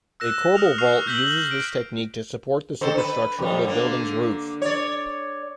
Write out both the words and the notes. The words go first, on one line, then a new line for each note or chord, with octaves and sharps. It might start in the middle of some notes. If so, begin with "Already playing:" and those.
A corbel vault uses this technique to support the superstructure of a building's roof.
E6 F#6 A#6 E7
D#6 F6 F7
C#6 F6 C7 F7
E6 G6 A#6 B6 F#7 G7
D7
D3 A4 C5
B4
F2 G3
D3 A#3
C#5 D5